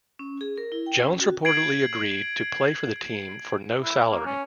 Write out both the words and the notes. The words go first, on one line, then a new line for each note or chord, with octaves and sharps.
Jones reportedly agreed to play for the team for no salary.
C#4
G#4
A#4
E4
G5
C#4
F#4
G#6 C7 D7 F#7
E4
A#3
C#4